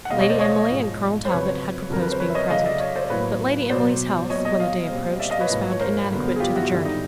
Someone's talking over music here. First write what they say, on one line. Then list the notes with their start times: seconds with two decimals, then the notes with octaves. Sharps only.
Lady Emily and Colonel Talbot had proposed being present; but Lady Emily's health, when the day approached, was found inadequate to the journey.
0.05 F#5
0.10 E2 B2 G#3 D#5 F5
0.20 C#5 D#5
0.30 C5 D5
0.40 C#5 D#5
0.70 G#2 F3 G#3
1.25 C5
1.30 F2 C#3 F#3 B4 C#5
1.90 F2 D3 F#3 A#4
2.02 B4
2.12 C5
2.20 B4 C#5
2.30 E5
2.35 C#5 D#5
2.50 C#3 F#3 A3 D#5 F5
2.66 D5 E5
2.80 C#5 D#5
2.96 C5 D5
3.10 A2 F#3 A#3 B4 C#5
3.70 B2 F#3 B3 C5 D5
4.30 A#2 F#3 B3 C#5 D#5
4.45 C#5 D#5
4.60 D#5 F5
4.90 A#2 G3 C4
5.20 D5 E5
5.30 D#5 F5
5.40 B4 C#5
5.50 G#2 F3 A#3
5.71 C#5
5.80 A#4 C5
6.10 G2 D3 F#3 B3
6.36 G#4
6.40 F4 G4
6.55 E4 F#4
6.70 G2 D3 G3 E4
6.85 D#4